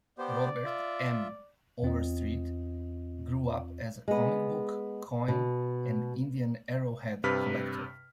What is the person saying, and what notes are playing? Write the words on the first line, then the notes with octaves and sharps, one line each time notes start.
Robert M. Overstreet grew up as a comic book, coin, and Indian arrowhead collector.
B3 G4 C5 D5
F4 E5
E2 C4 F4 D#5
G#3 B3
B2
G2 C3 B4 B5 F6 B6